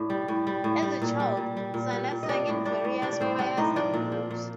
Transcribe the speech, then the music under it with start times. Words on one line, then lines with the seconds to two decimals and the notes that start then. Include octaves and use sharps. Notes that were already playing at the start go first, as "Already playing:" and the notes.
As a child, Sanda sang in various choirs and groups.
Already playing: A2 D4 D5
0.10 G3
0.28 A2
0.47 G3
0.64 A2
0.82 G3
1.02 A#2
1.20 G3
1.37 A#2
1.57 G3
1.74 A#2
1.93 G3
2.11 A#2
2.23 D#5
2.29 G3 D4 D5
2.48 A2
2.65 G3 D4 D5
2.84 A2
3.02 G3 D4 D5
3.12 D5
3.20 A2 C4 C5
3.39 G3 D4 D5
3.57 A2 D#4 D#5
3.76 F3 D4 D5
3.94 A#2
4.12 F3
4.31 A#2